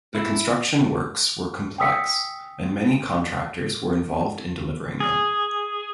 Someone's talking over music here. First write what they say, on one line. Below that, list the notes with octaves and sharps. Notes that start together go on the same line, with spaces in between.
The construction works were complex, and many contractors were involved in delivering them.
E4
G5 G#5 D#6 E6 B6 C#7
G#4